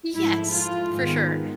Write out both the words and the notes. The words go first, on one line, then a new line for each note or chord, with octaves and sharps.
Yes, for sure.
G#2 F3 A3 E4
F4
G#2 D#3 G#3 B3